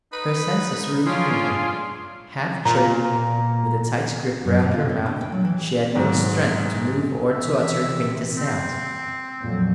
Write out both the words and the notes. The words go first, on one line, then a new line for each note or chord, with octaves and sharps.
Her senses were leaving her; half choked with the tight grip round her mouth, she had no strength to move or to utter the faintest sound.
D#4 B4
C#4 D4 F4 G#4 F5 C6
A#2 A#5
F#2
A#2
F4
C4
D3
G5
F#3
E3
G#4
B1 G#2
C3 E3 E5
C4
F2 A#2 F#3